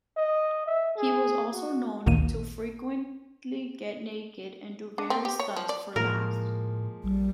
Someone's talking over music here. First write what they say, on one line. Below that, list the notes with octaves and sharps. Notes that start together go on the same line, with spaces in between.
He was also known to frequently get naked and do various stunts for laughs.
D#5
E5
G#4
F#4
A1 D2 A#2 D#3 A#3 D#7
D4
C4
G4
C#5
F3
D5
A2 F3 G#3 A#3 A#4
A#1 G3